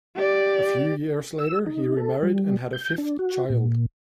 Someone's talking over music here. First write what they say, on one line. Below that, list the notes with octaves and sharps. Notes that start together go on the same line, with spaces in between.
A few years later he remarried and had a fifth child.
G4 D5
E6
D#4
A4
G3
G6
D4
F#4
A#2